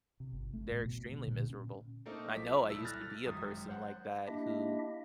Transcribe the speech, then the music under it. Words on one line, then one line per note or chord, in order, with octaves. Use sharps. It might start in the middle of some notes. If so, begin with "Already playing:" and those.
They're extremely miserable. I know, I used to be a person like that who
C3
G1
A3
A2
B2
D3
A#2
C#4
A3 A#3 C4 D#4 A4
B1 F3 D6 B6
C2 A#2 E4 A4 E6 B6
F6 F#6 A6 A#6
G#1 F#2 D#6
C5 F#5
A#3 D4 E4 G4 D#5 E5